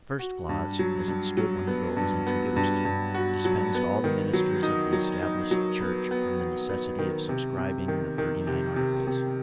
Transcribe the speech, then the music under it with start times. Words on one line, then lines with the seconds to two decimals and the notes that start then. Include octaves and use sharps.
The first clause, as it stood when the bill was introduced, dispensed all the ministers of the Established Church from the necessity of subscribing the Thirty-nine Articles.
0.19 F#4
0.49 G2
0.79 F#3
1.08 G2
1.37 F#3
1.67 B3
1.97 G2
2.27 B3
2.56 G2
2.85 G2
3.14 F#4
3.45 F#3
3.75 B3
4.04 D#3
4.33 F#3
4.63 D#4
4.93 F#3
5.22 D#4
5.51 F#3
5.81 B3
6.11 B3
6.40 B3
6.69 B3
6.99 D#3
7.29 C3
7.58 C3
7.88 D#3
8.18 D#3
8.47 C3
8.76 C3
9.07 C3